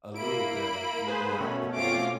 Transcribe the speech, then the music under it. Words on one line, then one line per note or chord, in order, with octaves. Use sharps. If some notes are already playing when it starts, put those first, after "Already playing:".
a little better throughout the day,
A#3 E4 B5 D7
G#4 B4 C5
B2 A3 C#4
C4 F4 D6